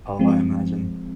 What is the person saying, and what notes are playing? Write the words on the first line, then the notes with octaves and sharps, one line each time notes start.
Oh, I imagine.
F3 G#3 C4